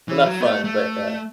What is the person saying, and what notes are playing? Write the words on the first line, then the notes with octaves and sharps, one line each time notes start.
Well, not fun, but, uh,
E3
F#3
B3
A3
A3